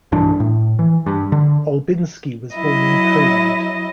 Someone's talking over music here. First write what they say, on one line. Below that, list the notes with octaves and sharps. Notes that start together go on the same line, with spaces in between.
Olbinski was born in Poland.
B1 G2 E3 D4
A2
E3
G2
D3
F#3 E4 D#5